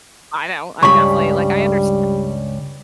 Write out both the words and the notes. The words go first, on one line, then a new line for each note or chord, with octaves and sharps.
I don't, I definitely, like, I understa
C#2 G2 G3 B5 C#6